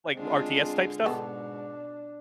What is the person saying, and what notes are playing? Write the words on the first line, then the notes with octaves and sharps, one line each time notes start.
like, RTS type stuff?
D3 G#3 C4 D4 F4
G#2 B2 G#3 B3 D4 A4